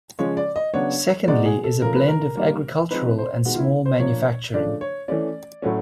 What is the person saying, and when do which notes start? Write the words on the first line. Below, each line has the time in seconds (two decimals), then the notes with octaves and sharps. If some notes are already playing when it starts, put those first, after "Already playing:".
Secondly is a blend of agricultural and small manufacturing.
0.19 C#3 F3 G#3 C#4 C#5
0.37 D5
0.56 D#5
0.73 C#3 F#3 B3 D4 C#5
1.28 B2 G#3 B3 D#4 D5
1.45 G#4
1.64 A4
1.82 C#3 F3 A3 A#4
1.95 B4
2.08 A#4
2.37 D#3 G3 A#3
2.91 F3 G#3 C4 D#4 B4
3.18 C5
3.45 D#3 G#3 B3 F#4
3.54 F4
3.59 E4
3.86 C5
3.99 F3 A#3 D4 C#5
4.54 C#3 F3 A3 D4 D5
4.81 C#5
5.08 E3 A3 C#4 D5
5.62 A2 F#3 A3 C#4